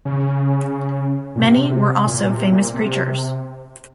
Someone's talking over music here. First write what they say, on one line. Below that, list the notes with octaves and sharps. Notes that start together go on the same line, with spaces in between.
Many were also famous preachers.
C#3
A#2
C3
A#2
C3
A#2
C3